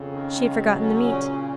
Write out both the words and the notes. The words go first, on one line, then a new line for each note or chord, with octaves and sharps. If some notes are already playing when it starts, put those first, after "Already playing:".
She had forgotten the meat.
Already playing: F2 C#3
D#3
G#3
F#3
C#4
A#2
A#2